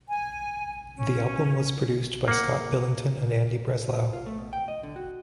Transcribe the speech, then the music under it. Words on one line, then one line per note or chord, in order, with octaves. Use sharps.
The album was produced by Scott Billington and Andy Breslau.
G#5
C#4
A#3 F#5
F4
A3
B2
G5
D#5
D3
F#4